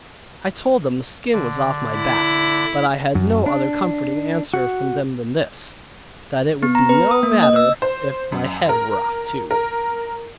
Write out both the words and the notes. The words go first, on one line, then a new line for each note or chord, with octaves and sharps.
I told them the skin was off my back, but I had no other comforting answer from them than this: that it would be no matter if my head were off too.
D3 D5
E4
F#2
D4
F#4
B3
A#5
B4
D#6
A#3
D#5
E6
C5
F#2
A#4
A#4